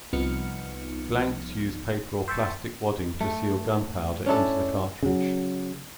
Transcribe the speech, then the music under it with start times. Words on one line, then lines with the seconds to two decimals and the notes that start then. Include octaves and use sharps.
Blanks use paper or plastic wadding to seal gunpowder into the cartridge.
0.13 C2 F3 B3 D#4 F6 C#7
2.28 C5 E5 G5 A5 C#6
3.20 A3
4.26 C#4 D4 E4 A4
5.03 C#3 F#3